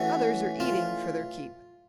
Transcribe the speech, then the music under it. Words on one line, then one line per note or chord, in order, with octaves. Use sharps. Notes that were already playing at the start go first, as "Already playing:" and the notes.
"Others are eating for their keep."
Already playing: E3 A3 C#4 F#4
F4